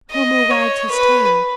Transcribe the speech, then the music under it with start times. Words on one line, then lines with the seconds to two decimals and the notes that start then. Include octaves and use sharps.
Homo wagged his tail.
0.12 D#5
0.51 C#5
0.91 B4